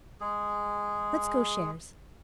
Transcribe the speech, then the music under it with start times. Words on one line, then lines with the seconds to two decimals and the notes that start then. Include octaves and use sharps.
Let's go shares.
0.21 G#3 G#4